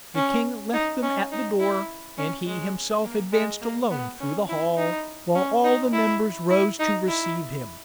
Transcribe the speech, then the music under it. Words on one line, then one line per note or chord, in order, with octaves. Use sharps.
The king left them at the door, and he himself advanced alone through the hall, while all the members rose to receive him.
C#4
D#4
C#4
D#4
E4
C#4
G#3
A#3
G#3
A#3
B3
C#4
E4
D#4
C#4
D#4
E4
E4
D#4
E4